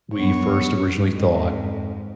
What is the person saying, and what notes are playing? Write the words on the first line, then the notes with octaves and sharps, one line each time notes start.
we first originally thought,
F#2 B3 C#5
F2 G#2